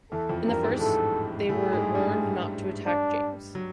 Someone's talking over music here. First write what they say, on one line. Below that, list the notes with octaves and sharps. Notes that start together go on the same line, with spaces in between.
In the first they were warned not to attack James.
E2 E3 A4
F2 F3
G2 G3 A#4
G#2 G#3
A2 A3 A4
A2 A3 G#4
G3
G#2 G#3
G2 G3
D4
F#3